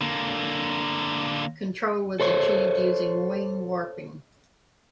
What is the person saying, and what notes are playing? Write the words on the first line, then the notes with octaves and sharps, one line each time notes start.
Control was achieved using wing-warping.
D3 A#3
A4 C5 C#5